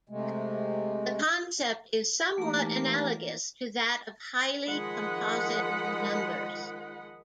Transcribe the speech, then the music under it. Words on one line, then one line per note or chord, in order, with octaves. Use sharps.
The concept is somewhat analogous to that of highly composite numbers.
C3 G#3 A3
E3 A3 A#3 D#4 G4 A#5
D#3 F3 G#3 D#5 F#5 B5